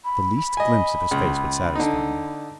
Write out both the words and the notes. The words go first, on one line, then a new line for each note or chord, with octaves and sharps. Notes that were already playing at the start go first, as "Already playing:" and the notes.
The least glimpse of his face would satisfy me.
B5
D#5 G#5
C#2
D3 D#4